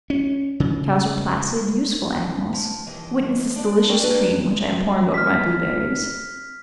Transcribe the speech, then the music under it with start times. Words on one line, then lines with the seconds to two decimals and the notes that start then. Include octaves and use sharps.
Cows are placid, useful animals--witness this delicious cream which I am pouring over my blueberries.
0.10 C#4
0.60 C#3
2.53 F3
2.87 D#2 E3 D#5
3.56 D4 D5
3.89 C4 F#4 G#4 A#4 D5
4.03 D2 A#3 D4 B4 A#5
5.14 F6 B6